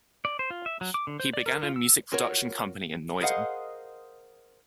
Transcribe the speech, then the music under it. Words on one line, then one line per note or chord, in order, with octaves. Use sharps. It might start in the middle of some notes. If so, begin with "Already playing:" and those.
He began a music production company in Noida.
D5
C5
F4
E5
F#3
D6
D3
C5
D5
A#4
F4
E6
F4 F#4 A#4 C#5
G#4 A#4 C5 D#5 F5 F#5